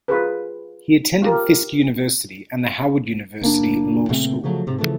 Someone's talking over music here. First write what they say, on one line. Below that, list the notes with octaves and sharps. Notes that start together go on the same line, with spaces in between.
He attended Fisk University and the Howard University Law School.
F4 G#4 B4
F4 G4 A#4
F#1 A#3 D4
A#2 C#3 A3 C4
C#3 F3 F#3 A3
G#2 C3
C#3 E3 F3 A3